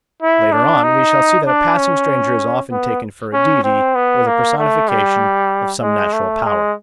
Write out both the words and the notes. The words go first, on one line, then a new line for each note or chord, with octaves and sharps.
Later on we shall see that a passing stranger is often taken for a deity or the personification of some natural power.
E4
D4
D#4
D4
C#4
B3
C#4
C4
B3
A#3
A3
G3
G#3
A3
G#3